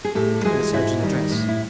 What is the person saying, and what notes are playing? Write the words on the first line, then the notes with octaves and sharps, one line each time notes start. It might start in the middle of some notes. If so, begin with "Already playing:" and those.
Give me the surgeon's address.
G#4
A2 G4 A4
E3 G#3 F#4 G#4
G#2 E4 F#4
D#3 G3
A2
E4